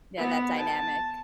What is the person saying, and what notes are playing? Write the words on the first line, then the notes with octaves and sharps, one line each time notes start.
Yeah, that dynamic.
B3
A5